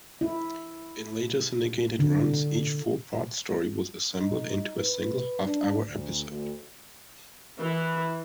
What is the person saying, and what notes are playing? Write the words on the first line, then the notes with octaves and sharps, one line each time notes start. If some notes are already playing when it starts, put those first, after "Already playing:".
In later syndicated runs, each four-part story was assembled into a single half-hour episode.
E4
D3
D#4
B4
D4
D2
D2
E3